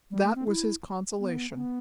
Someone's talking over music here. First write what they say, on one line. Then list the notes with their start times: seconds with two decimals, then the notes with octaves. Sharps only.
That was his consolation.
0.11 G3
0.23 A3
0.35 C4
0.48 E4
1.20 B3
1.56 B3